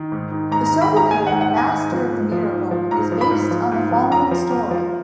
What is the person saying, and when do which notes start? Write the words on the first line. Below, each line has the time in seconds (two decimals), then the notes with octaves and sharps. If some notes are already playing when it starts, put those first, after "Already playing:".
The sobriquet "Master of the Miracle" is based on the following story.
Already playing: D#3
0.12 G#2
0.32 D#3
0.51 G#2 A#5
0.66 A#5
0.71 D#3
0.82 B5
0.91 G#2
0.97 A#5
1.11 D#3 G#5
1.27 F#5
1.31 G#2
1.41 F#5
1.52 D#3
1.57 G#5
1.71 G#2
1.92 F3
2.12 G#2
2.32 F3
2.52 G#2
2.71 F3
2.91 G#2 A#5
3.12 F3
3.21 B5
3.31 G#2
3.51 F3
3.72 G#2
3.91 F3
4.11 F2 A#5
4.31 F3
4.51 F2
4.71 F3